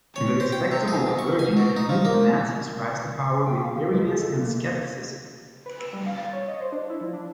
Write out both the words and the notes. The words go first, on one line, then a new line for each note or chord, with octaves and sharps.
The respectable clergyman viewed the Nazis' rise to power with wariness and scepticism.
C#5
C5
G5
C3
G#4
G#2
C#6
G#5
B2
D#4
F3
A#3
G5
F5
D#3
G#3
G#4
A4
C#3
A#3
B4
E6
G3
F5
A6
C#5
D#5
C5
D4
E4
F3
D4